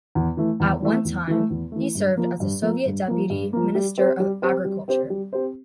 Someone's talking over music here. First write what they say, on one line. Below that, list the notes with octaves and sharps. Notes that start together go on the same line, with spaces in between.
At one time, he served as the Soviet Deputy Minister of Agriculture.
E2
E3 A3
E2
E3 A3
E2
E3 A3
E2
E3 A3
G2
F3 A#3
G2
F3 A#3
G2
F3 A#3
G2
F3 A#3
G3
C4 G4 C5
G3
C4 G4 C5
G3
C4 G4 C5
G3
C4 G4 C5